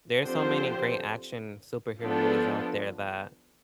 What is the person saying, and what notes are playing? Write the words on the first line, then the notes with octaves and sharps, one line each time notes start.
there are so many great action superhero movies out there that
D3 F3 C4 G4 C5
F3 B3 D4 A4